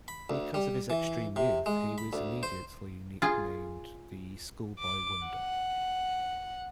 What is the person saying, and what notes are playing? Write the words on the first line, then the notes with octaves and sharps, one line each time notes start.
Because of his extreme youth, he was immediately nicknamed "The Schoolboy Wonder".
B5
D2
G3
E3
C3
G#3
B5
D2
C5
F4 G#4
D6
F#5